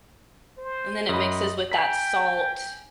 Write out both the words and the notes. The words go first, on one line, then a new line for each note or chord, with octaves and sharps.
And then it mixes with that salt.
C5
F#2 D#5 B5
G5 G#5 A#5 B6